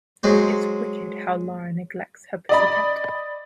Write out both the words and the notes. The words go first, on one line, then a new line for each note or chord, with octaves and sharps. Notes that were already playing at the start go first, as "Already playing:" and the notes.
It's wicked how Lara neglects her pussy cat.
F#3 G#3 F#4 C5
D5 D#5 B5